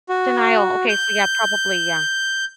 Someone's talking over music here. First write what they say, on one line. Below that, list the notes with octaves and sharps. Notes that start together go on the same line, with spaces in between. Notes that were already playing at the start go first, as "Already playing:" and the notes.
Denial. Okay, so, yeah, probably, yeah.
F#4
G6